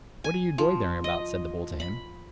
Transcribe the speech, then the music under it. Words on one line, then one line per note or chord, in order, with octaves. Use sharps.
"What are you doitherin' about?" said the bull to him.
G#5
F3
D#5
B5